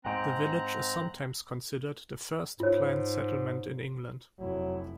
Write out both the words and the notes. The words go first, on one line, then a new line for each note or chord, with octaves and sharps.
The village is sometimes considered the first planned settlement in England.
G#2 C4 G5 A#5 F#6
G#2 F4 C#5
F1 F#3 E4